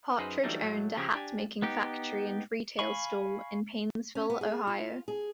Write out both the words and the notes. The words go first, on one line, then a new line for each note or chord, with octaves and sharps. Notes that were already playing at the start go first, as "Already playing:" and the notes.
Partridge owned a hat-making factory and retail store in Painesville, Ohio.
F#2 D#4 G#4 B4 C5
E3 F#3 G3 A3 D4 D#4
A2 F#3 A3
C#3 F3 C#4 G4 G#5 A#5
D4 G4 G#5
B3 D#4 G4
F5 G#5 B5 C#6
C#4
B3
G#4
F4
G#4